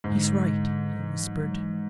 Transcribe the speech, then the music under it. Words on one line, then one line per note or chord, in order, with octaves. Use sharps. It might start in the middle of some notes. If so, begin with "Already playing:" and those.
"He's right!" he whispered.
G#2 D3
E3
F#3
E3